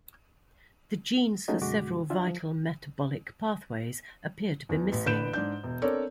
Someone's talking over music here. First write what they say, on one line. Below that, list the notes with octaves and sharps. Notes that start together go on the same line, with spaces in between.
The genes for several vital metabolic pathways appear to be missing.
G#3 A3 C#4 D#4 F#4
F#2 B2 D3 G#3 F#4 D6
D4 F4 E5 G5
F3
E2
A1
A1 D3 B4 G6 D7 E7
G#2 D4 G6
E1
C4 D4 A4 A#4 C#5 D5